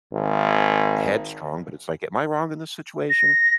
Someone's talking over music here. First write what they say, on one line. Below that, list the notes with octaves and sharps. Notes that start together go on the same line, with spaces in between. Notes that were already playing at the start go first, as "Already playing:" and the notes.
headstrong, but it's like, am I wrong in this situation?
G#1
A#6